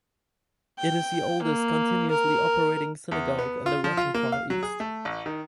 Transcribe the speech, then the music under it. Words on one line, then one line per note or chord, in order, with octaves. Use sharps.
It is the oldest continuously operating synagogue in the Russian Far East.
G5
A#3
A#4
E2
B3
F4
F3
F4
A#3
F5
F#3
G#4
A3
A1
D#3